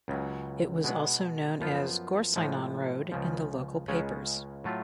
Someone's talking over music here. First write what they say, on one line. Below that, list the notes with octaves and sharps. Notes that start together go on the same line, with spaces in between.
It was also known as Gorseinon Road in the local papers.
C#2 C#3 F#3
B2 G#3 B3
F#2 F3 B3 F4
A2 F3 G#3
C#2 C#3 F3
C#2 C#3 G#3 C#4
A2 F#3 A3 F4